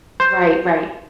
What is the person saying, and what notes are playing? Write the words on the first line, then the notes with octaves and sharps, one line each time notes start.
Right, right.
C5